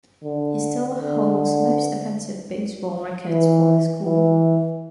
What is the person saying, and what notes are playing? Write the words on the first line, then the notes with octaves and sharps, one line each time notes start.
He still holds most offensive baseball records for the school.
D3
D3
E3
E3